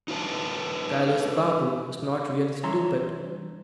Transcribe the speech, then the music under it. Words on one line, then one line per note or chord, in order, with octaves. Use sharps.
Kailas Babu was not really stupid.
D#4 F4 B4 A5
G2 E3 C#5 E5 A#5 C6